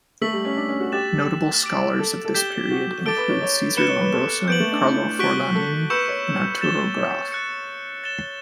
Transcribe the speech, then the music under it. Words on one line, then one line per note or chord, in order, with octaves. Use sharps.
Notable scholars of this period include Cesare Lombroso, Carlo Forlanini and Arturo Graf.
A3 E6 B6 F#7
G3
C#4
D4
C#4
F#4
G4 F#6 A6 E7
D6 A6 D7 F#7
A4
A4
G4 G6 B6 E7 G7
F#4
A4 D6 A6 D7 G7
B4
C#5
C#5
B4 F#6 C#7 E7 G7
C#5
B4
A4
B3 G6 D7 F#7
A3
D4
E4
F#4 C#6 F#6 B6 D7 G7
A4
B4 C#6 E6 G6 C#7 E7
C#5
A6 E7 G7
C#5
F#6 A6 C#7
A6 E7 G7